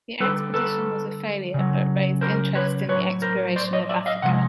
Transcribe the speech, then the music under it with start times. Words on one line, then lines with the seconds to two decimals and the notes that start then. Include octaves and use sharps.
The expedition was a failure but raised interest in the exploration of Africa.
0.20 D3 G3 A4 B4
0.54 A4 B4
1.54 C#3 F#3
2.21 A#4 C5
2.55 B4 C#5
2.89 A2 F#3 B4 C#5
3.22 A#4 C5
3.56 C5 D5
3.73 C#5 D#5
3.89 D5 E5
4.06 D#5 F5
4.22 C3 F3 G#3 F#5